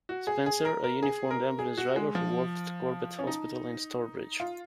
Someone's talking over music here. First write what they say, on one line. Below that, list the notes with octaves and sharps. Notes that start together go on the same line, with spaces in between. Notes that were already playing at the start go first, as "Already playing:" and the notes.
Spencer, a uniformed ambulance driver who worked at Corbett Hospital in Stourbridge.
F#4
G#4
G#4
A#4
A#4
G#4
A#4
G#4
F#4
G#3
F3
C#4
D#4
F4